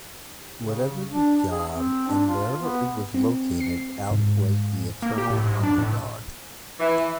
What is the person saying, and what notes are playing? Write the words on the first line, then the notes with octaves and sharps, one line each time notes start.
Whatever his job and wherever it was located, Alf was the eternal underdog.
C#3
D4
G#4
C4
D4
F4
B3
C4
C7
G#2
A#3
G4
A2
G#2
D4
A2
E3